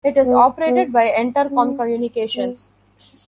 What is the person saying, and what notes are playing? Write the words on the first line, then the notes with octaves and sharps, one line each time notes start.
It is operated by Entercom Communications.
B3
B3
C#4
B3